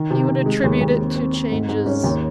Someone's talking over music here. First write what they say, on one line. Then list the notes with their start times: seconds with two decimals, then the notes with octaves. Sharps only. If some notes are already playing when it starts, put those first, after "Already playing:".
"He would attribute it to changes . . ."
Already playing: D#3
0.11 C3
0.28 C3
0.46 G#3
0.63 D#2
0.81 D#2
0.98 C4
1.16 C4
1.34 C4
1.51 G#2
1.69 G#2
1.86 C#4
2.04 D#2